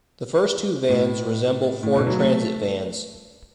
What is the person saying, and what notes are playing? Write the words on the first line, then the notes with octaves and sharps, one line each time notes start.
The first two vans resemble Ford Transit Vans.
A2
A2
B2
F#3
A3